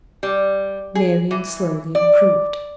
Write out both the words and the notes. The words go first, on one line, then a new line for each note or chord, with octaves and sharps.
Marian slowly improved.
G3
G#4
E3
D5